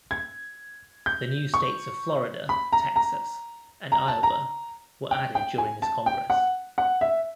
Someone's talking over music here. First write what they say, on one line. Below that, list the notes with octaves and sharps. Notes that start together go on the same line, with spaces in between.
The new states of Florida, Texas and Iowa were added during this Congress.
G#6
G6
C#6
B5
A#5
A#5
A#5
A5
A#5
G5
G5
G#5
A5
G5
F#5
F#5
E5